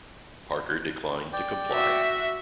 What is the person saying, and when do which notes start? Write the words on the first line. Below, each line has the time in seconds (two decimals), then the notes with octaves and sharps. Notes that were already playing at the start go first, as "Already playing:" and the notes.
Parker declined to comply.
1.33 D5 G5
1.69 F#4 E5